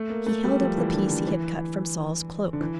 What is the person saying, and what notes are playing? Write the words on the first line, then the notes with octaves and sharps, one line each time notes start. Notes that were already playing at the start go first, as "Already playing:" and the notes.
He held up the piece he had cut from Saul's cloak.
Already playing: A3
A#3
A3
G3
F3
E3
D3
D3
E3
D3
E3